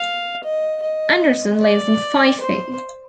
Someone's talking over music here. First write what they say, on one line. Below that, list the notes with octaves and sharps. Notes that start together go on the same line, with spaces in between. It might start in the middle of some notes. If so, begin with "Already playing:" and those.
Anderson lives in Fife.
Already playing: F5
D#5
D#5
D5
C5